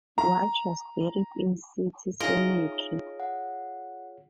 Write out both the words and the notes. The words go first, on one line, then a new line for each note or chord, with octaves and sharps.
Walsh was buried in City Cemetery.
A#5
C#4 D#4 F4 G#4 A#4 C#5 D#5 E5
F#5